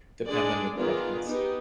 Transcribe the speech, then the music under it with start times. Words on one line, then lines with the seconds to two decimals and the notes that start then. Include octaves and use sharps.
depends on your preference.
0.26 G#3 D4 G#4 D5
0.76 D#3 B3 F4 G#4 D5
1.27 B3 D#4 G4